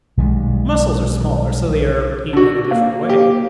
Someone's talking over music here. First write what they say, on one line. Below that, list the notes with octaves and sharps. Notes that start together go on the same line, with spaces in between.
Mussels are smaller, so they are eaten in a different way.
B1 D#3 G3 G#3
D3 F#4
A#3
G4